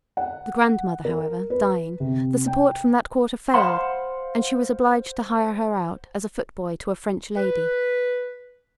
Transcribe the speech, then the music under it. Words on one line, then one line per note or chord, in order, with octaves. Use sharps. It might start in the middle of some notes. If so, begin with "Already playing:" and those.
The grandmother, however, dying, the support from that quarter failed, and she was obliged to hire her out as a footboy to a French lady.
F#5
A#4
B4
C3
G5
C5 F5 F#5 B5 C6
B4